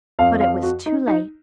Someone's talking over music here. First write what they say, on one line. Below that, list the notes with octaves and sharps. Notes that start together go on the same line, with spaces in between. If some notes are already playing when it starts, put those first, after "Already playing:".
But it was too late.
F2 F3 F5
F5
F#4
D#4
D#4